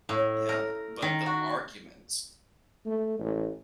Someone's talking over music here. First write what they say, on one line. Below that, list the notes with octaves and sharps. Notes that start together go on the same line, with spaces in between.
Yeah, but the arguments
A2
A#4
D#3
F#4
A3
A1